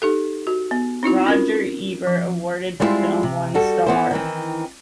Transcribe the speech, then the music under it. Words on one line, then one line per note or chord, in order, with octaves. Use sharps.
Roger Ebert awarded the film one star.
D#4 G4 A4
F#4
B3
C4 D#4 E4 F#4
C#4 F4 A#4
F3
G3 G#3 B3 C4 E4 F4
C3
G3 F#4 A4
E3 B3 C5
D#3 E3 C4